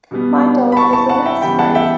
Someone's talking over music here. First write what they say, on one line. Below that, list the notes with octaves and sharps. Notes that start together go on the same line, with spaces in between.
My dog is a mixed breed.
B2 G3 B3
B5
A5 C#6
A5 C#6
F#5 A5
E5 G5
C#3 E3 G3 B3 G5 B5
F#5 A5
E5 G5